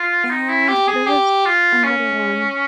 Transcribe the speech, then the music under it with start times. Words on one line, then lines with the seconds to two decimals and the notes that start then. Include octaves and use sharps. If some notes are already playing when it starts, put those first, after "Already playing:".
And there was another one
Already playing: F4
0.30 D#4
0.49 E4
0.68 G4
0.88 G#4
1.06 G4
1.45 F4
1.84 C#4